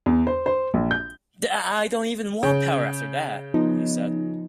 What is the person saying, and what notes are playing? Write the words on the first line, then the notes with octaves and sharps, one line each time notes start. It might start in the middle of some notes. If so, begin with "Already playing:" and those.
"I don't even want power after that," he said.
E2
C5
C5
A#1
G6
C#3 G6
F3 B3 D#4